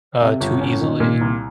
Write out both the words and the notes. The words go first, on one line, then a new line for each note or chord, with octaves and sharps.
uh, too easily.
C3
G1
C#4
D#3
A#2
C2